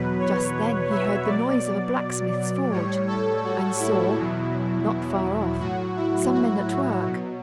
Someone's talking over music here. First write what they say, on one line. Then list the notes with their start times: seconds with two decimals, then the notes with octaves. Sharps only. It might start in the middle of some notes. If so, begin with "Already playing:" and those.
Just then he heard the noise of a blacksmith's forge, and saw, not far off, some men at work.
Already playing: E2 B2 F#3 B4
0.19 C#5
0.91 E5
1.27 B2 F#3 D5
2.71 A2 G3 C#5
3.07 A4
3.44 F#4
3.80 E4
4.16 E2 B2 F#3
5.60 A2 F#3 F#4
5.96 E4
6.33 F#4
7.05 B2 F#3